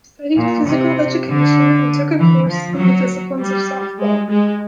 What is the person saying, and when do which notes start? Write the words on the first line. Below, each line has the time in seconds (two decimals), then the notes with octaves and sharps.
She studied physical education and took a course in the disciplines of softball.
0.36 A#2
0.66 C3
1.28 D3
2.18 E3
2.48 F3
2.78 F#3
3.40 G3
4.00 G#3
4.29 G#3